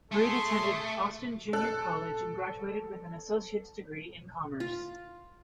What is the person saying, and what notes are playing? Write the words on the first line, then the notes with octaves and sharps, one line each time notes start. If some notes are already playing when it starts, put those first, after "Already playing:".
Brede attended Austin Junior College and graduated with an Associates degree in commerce.
A3 G#4 C6
A4 F#6
F4